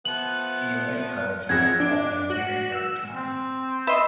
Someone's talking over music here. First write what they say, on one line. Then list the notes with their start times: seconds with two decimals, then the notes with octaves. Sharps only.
The away colours of the club have varied over time.
0.05 F3 A3 B3 F#7
1.49 F2 E4 G#4 C#5 F#5 G#6 A#6
1.80 D4
2.30 F#4
2.72 E6
3.15 C4
3.87 B4 D#5 E5 C6